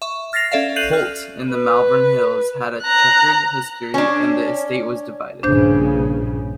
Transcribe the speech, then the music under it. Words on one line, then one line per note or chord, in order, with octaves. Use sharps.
Holt, in the Malvern Hills, had a chequered history and the estate was divided.
E5 C#6
F6 A6 A#6 C7 F7
C#4 A4 D5 E5 F5
F#6 G6 C7 D#7 F7 F#7
F6
B4
A#5 F#6
C#4 D4
A#1 G2 C#3 D4 C5 G6